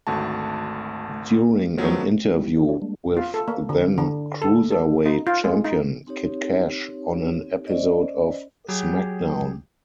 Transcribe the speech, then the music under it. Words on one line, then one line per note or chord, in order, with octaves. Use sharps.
During an interview with then Cruiserweight Champion Kid Kash on an episode of SmackDown!
G#1 D2 A3 F#4 A5
D#3 F3 F#3 A3 B3
G3 G#3 E4 G4
D#3 D#4 F4 G#4 D5
D4 E4 G4 C#5 D5
G3 G#3 A#3 D4
F4
A4
A#3
D3
D3
A4
A4
D#4
F4
G#3
D#4
C4 D#4 G4 C#5
C#4 C5 D5 D#5
F#3 G4 G#4